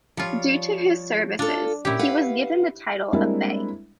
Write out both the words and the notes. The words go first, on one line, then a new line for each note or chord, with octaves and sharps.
Due to his services, he was given the title of bey.
F3 G3 F4 C#5
D4 F4 A4
A#2 C#4 E4 G4
B4 F5 F#5
G3 G#3 A#3 C4 D4 E4